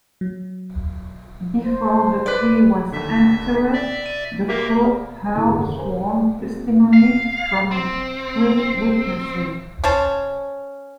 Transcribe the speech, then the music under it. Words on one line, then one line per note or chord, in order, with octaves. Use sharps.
Before the plea was entered, the court heard sworn testimony from three witnesses.
F#3
C5
B4 D5
D#2 D3 E5
D5 E5
D#7
A#3 F#4 G4 A#4 E5
G#4 C5 D5 F5 G#5
G#2 D3 B3 E4
C#2 F#2 D3 D#3 G#4 F#5
G4 A#4 C5 G#5 A#5
D5
A#3 C4 F#4
F5
C4
C#4 C5 A5